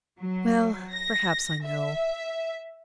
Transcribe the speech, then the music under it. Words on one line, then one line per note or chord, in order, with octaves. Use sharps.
Well, perhaps I know.
F#3
A#6
E5